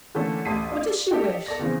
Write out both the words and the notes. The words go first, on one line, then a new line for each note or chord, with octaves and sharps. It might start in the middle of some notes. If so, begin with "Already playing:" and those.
What does she wish?
D3 E3 A3 A#3 C#4 A4
A1 D2 A5 B6 C7 D#7
D4 F4 D6
D4 G4 A4 D#5 G5
A4 D5 A#6
E2 C#3 E3 C4